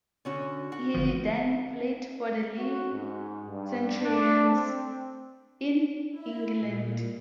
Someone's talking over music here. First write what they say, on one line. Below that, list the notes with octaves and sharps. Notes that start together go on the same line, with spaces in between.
He then played for the Leigh Centurions in England.
D3 C#4 F#4
F#4
G1 F3
F#4
G#2
G2
D4
C4
E4
A#2